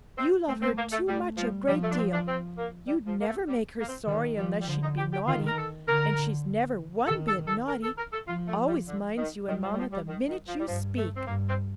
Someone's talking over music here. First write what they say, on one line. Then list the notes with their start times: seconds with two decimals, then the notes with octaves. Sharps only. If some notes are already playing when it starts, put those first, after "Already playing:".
"You love her too much a great deal; you'd never make her sorry unless she'd be naughty; and she's never one bit naughty,--always minds you and mamma the minute you speak."
0.17 C4
0.47 A3 C4
0.62 C4
0.77 A#3
0.92 A3
1.08 G3 A3
1.37 F3 G3
1.67 F3 G3
1.83 A3
1.91 D4
1.97 C4
2.13 D4
2.27 C4
2.57 A#3
2.87 G3
3.07 F3
3.21 A#3
3.27 A3
3.48 G3
3.80 A#3
3.88 C4
4.07 D#3 G3
4.37 F3 G3
4.61 G3
4.67 D3 F3
4.82 D#4
4.97 G4
5.13 G4
5.27 D#3 F4
5.47 A#4
5.58 A4
5.87 D3 A#4
7.07 D#3 A4
7.27 A4
7.48 A4
7.68 A#4
7.83 A4
7.97 A#4
8.12 A4
8.27 F3 F4
8.47 A3
8.67 G3
8.87 D3
9.18 D#3
9.48 D#3 G3
9.63 F3
9.73 G3
9.78 F3
9.92 G3
10.08 D#3
10.28 D#3
10.48 F3
10.60 G3
10.67 G2 F3
10.97 A3
11.16 C4
11.27 G2 A#3
11.47 C4